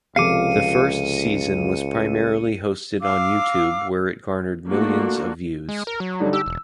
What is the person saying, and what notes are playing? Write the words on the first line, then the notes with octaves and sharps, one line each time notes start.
The first season was primarily hosted on YouTube where it garnered millions of views.
C#2 C3 F3 A4 F5 D6 C#7 D#7
F5 D6 E6
A3 A#3 D4 F4 F#4
G#3
A#4
F#3
D3 G3 D#4
G4 E6
E1